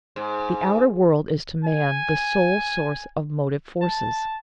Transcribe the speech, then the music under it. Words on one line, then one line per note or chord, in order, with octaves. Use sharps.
The outer world is to man the sole source of motive forces.
G#2
G#5
A5